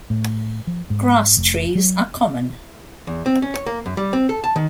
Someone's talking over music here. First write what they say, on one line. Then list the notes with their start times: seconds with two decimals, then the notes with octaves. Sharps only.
Grass-trees are common.
0.10 A2
0.67 F3
0.90 G#2
1.37 F1
1.75 F#3
3.07 E2
3.26 C4
3.42 C#4
3.54 C#5
3.66 A#3
3.86 F#2
3.97 G3
4.13 C4
4.29 A4
4.44 A5
4.56 D#3